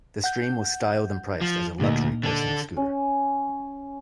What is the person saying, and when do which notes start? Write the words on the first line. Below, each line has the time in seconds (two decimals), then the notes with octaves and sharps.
The Stream was styled and priced as a luxury personal scooter.
0.24 F#5 G6
1.41 F3
1.80 D2 A#2 A#3 D#4
2.23 D3 A4
2.77 C#4